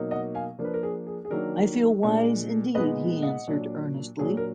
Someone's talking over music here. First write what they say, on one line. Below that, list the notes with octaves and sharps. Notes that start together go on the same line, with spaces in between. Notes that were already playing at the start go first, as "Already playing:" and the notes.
"I feel wise, indeed," he answered, earnestly.
Already playing: B2 F#3 A#3 D#4
D#5 F#5
F5 G#5
F3 A#3 D4
B4
A#4
G#4
G#4
G#4
D#3 F#3 A#3 D4 A#4
A#2 G#3 D4
A#2 G#3 B3 D#4 B4 D#5
D#5 F#5
A#2 F#3 D4
A#2 F#3 D4 G#4
A#4